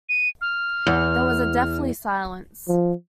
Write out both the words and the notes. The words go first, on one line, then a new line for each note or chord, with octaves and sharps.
There was a deathly silence.
D#7
F6
E2
F3